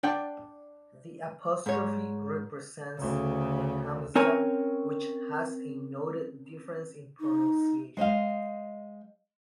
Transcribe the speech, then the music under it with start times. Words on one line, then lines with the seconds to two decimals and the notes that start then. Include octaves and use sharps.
The apostrophe represents the hamza, which has a noted difference in pronunciation.
0.03 D4 D5 F#5 G5
1.66 G#2 C#5
2.98 D2 C#3
4.15 C4 C#4 A#4 C#5 G#5
7.20 D#4
7.97 G#3 C5 D#5 F5